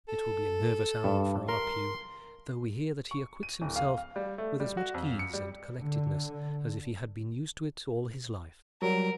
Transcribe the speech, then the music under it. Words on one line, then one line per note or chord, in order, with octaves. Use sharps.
It will be a nervous hour for our pew, though we hear that he acquits himself with as much ease and collectedness, as if he had been used to it all his life.
A4
G2
A#4 C6
C#6
D#7
D1
F5
F5
G3
A3
G3
F#4
F2
C#7
G3
D3
F#3 G3 A#4